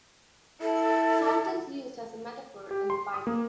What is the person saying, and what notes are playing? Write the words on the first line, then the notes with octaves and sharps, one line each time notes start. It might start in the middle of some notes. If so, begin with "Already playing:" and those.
Salt is used as a metaphor in the Bible.
E4 A4
G4
C6
D#6
A#3